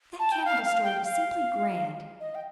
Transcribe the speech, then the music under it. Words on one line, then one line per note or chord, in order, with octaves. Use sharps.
That cannibal story was simply grand.
A5
G5
F5
F5
G5
F5
D#5
G5